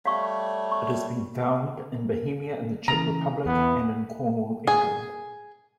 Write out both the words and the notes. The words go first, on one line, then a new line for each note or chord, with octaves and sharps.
It has been found in Bohemia in the Czech Republic and in Cornwall, England.
G3 A3 C#5 F5 C#6
C#6
C#3 E3 A#5
E2 E3 B3
G#4